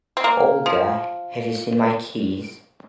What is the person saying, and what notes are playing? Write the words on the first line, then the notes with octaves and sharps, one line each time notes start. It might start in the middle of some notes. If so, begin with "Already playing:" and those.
Olga, have you seen my keys?
C4
A#3
F3